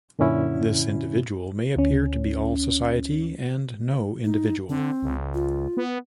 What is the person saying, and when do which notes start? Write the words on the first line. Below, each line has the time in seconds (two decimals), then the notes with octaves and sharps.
This "individual" may appear to be all society and no individual.
0.19 F#2 A#2 D3 C#4 E4
1.76 D2 C#4
4.24 D#4
4.69 D3 C4
5.03 C#2
5.34 F4
5.77 B3